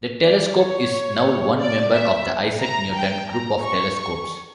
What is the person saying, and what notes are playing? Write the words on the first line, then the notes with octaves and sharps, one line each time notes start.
The telescope is now one member of the Isaac Newton Group of Telescopes.
D5
C#5
D5
E5
A#5
G5
A#5
C#6
C#6